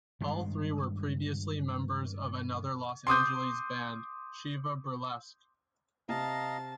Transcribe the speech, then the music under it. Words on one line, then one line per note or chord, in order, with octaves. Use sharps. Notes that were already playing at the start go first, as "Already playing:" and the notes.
All three were previously members of another Los Angeles band, Shiva Burlesque.
G2 D#3 G#3
C6 D6 D#6 G6
C3 D#5 F5 A5 A#5